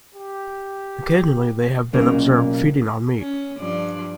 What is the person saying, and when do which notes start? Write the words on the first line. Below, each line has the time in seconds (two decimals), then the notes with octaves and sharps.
Occasionally they have been observed feeding on meat.
0.14 G4
1.93 B1 A#2 C#3 A#3
3.19 C#4
3.58 G2 F3 D5